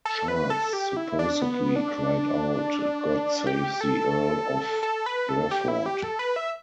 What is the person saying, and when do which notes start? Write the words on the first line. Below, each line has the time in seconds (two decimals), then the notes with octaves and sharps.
Charles supposedly cried out God save the Earl of Burford!
0.05 A4
0.28 B4
0.50 A4
0.73 G4
0.97 E4
1.19 D4
1.42 B3
1.76 D4
3.47 G4
3.81 A4
4.83 A4
5.06 B4
5.29 A4
5.51 G4
5.68 E4
5.86 G4
6.03 A4
6.19 B4
6.36 E5